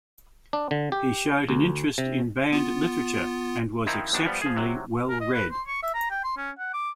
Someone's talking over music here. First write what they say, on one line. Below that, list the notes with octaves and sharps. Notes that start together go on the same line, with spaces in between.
He showed an interest in banned literature and was exceptionally well read.
D4
D3
G4
D2
C3
B3 F4
D#3 F3 C4 D#4 E4
A#1 D#3 B3 D4
F3 G3 B3
F3 G#4
C3 F#3
A#4
D#5
B4
C6
C#6
E5
A#5
G5
C6
C#4
F#5
D6